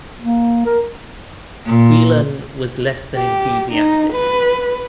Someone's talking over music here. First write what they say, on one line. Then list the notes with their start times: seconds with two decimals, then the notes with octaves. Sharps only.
Whelen was less than enthusiastic.
0.20 A#3
0.66 A#4
1.65 A#2
3.15 G4
3.72 D#4
4.13 B4